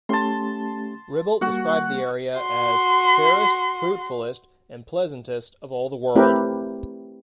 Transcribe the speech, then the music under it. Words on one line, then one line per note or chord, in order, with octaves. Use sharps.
Ribault described the area as, Fairest, fruitfulest and pleasantest of all the world.
A3 C#4 G4 A5 C6
G3 A#3 F#4 F#5
F#4 C6
A3 C4 E4 G4 A#4 B4